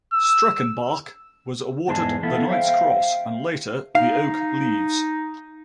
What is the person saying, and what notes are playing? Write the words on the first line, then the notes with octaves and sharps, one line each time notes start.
Streckenbach was awarded the Knight's Cross, and later the Oak Leaves.
E6
E2 G#2 G#3 G#4 A5
E3 B3 E4 F4 A4 E5
C5 E5 F5 G5
D#4 F5